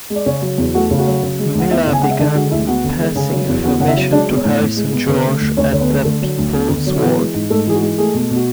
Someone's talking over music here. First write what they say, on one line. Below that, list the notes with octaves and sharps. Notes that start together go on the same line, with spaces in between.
Miller began passing information to Harrison George at the "People's World".
G#3
D5
C#3 C#4 C#5
F#3
E2
A3 F#4 F#5
C#3
F#4 F#5
F#3
C#3
G#3
D2 F#5
B3 E4 E5
C#3
G#5
G#3 F#5
E5
D3 D4 D5
G#3 F#4 F#5
D2 E4 E5
B3 F#4 F#5
D3
G#3
C#3 G#4 G#5
F#3
E2
B3 F#4 F#5
C#3 F#5
E4 E5
F#3
G#3 D4 D5
B3
C#4 C#5
A2
A2
G#3
B3
D3 B3 B4
A3
D2
D2 C#4 C#5
D3 C#5
B3 B4
A3
D3 A3 A4
F#3
D2
B3
D3
F#3
E3 B3 B4
G#3
G#2
G#2 A3 A4
E3 G#4
F#4
G#3
A3 G#4
B2
B2
F#4